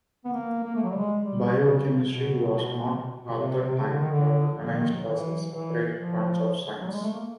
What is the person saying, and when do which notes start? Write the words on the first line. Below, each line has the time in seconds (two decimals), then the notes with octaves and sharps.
Biochemistry was not, at that time, recognised as a separate branch of science.
0.25 B3
0.33 A#3
0.64 A#3
0.76 A3
0.83 F#3
0.90 G3
0.97 G#3
1.19 G3
1.53 C3
1.62 C#3
2.06 B2
3.25 B2
3.36 C3
3.70 C3
3.79 C#3
3.90 D3
4.00 D#3
4.11 D3
4.65 D#3
5.09 E3
5.51 E3
5.95 F3
6.82 F#3
6.87 G3
6.92 G#3
7.03 A3
7.14 A#3